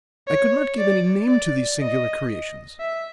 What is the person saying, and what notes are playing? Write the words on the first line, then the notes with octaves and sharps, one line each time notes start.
I could not give any name to these singular creations.
C#5
D5
D5
D#5
E5